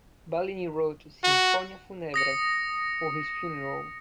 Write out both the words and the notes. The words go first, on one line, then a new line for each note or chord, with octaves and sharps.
Bellini wrote a "sinfonia funebre" for his funeral.
F#4
D#6 A#6 C#7